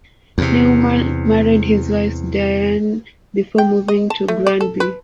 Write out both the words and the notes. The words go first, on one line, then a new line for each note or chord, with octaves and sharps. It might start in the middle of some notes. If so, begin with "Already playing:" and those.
Neumann married his wife Diane before moving to Granby.
E2 C3
G5
D#5
A5
A3
D5
A4
B4